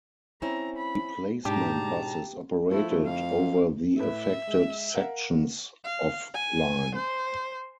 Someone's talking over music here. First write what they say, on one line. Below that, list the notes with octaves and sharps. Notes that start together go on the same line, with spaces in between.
Replacement buses operated over the affected sections of line.
C4 C#4 E4 A#5
B5
G#2 B2 D4 G4 A5 A#5
F3 A3 E4
F2 F5
A2 B4 E5
G#3
A#4 F5 F#5
F5
G#5
C5